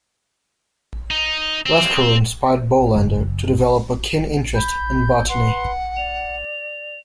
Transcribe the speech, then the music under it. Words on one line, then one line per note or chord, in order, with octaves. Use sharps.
Lesquereux inspired Bolander to develop a keen interest in botany.
D#4
C4
F#1
B5 G6
B4 F#5 C6
D5 F7